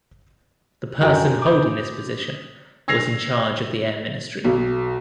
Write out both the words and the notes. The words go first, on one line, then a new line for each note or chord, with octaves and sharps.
The person holding this position was in charge of the Air Ministry.
F#2 F#4 A4 G5 G#5 A#5
D6 D#6 G6
E6 G#6 A#6 C7 F7
B1